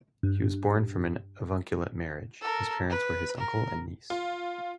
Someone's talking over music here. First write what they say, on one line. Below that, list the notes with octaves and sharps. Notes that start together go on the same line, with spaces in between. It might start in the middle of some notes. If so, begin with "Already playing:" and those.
He was born from an avunculate marriage - his parents were uncle and niece.
G2
A4 A#4
B4
A#4
F4